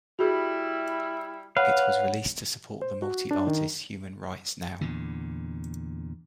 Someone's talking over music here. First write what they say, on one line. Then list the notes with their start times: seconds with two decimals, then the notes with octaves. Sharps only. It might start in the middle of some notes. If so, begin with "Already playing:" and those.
It was released to support the multi-artist Human Rights Now!
0.19 G3 E4 F#4 G#4
1.57 B4 C#5 F5 F#5
2.82 C5
3.02 F#4
3.31 D4
3.47 D#3
4.81 E2 A#2 D3